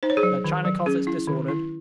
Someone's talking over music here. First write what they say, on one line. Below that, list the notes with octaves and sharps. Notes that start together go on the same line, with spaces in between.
Their china closets disordered.
D#4 C5
C#5
G#4 C5
F#3
D#3
F#3
C#4 G#4
E4
D#3
E4